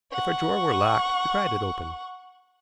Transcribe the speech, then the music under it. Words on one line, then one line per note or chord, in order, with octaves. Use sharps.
If a drawer were locked, he pried it open.
F#5 C#6